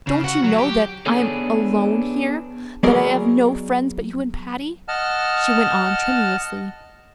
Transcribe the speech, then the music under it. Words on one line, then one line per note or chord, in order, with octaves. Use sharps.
"Don't you know that I am alone here--that I have no friends but you and Patty?" she went on tremulously.
C#3
F#4
F#3
G4
B3 D4 G#4 A4 C#5
F#3 B3 G#4 A#4 D5 D#5
D#5 F#5 A5 F6